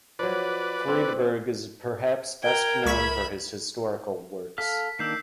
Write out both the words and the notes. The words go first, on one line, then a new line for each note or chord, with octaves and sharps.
Friedberg is perhaps best known for his historical works.
F3 F#3 B4 D5
C4
A#4 G5 A#5 G#6
C#2 E5 B5 C#6 B6
A4 F5 F6 B6
D#3 A#3 D4 E6 G6 C7